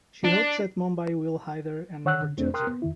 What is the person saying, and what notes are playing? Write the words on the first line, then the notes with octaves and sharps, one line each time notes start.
She hopes that Mumbai will hide her and never judge her.
D4
D#3 C#5 F#5 E6 F#6
D3
F2 A3 C4 D4
A#4 G5 C6 D#6 F6 F#6
B3
F2 D#3 E4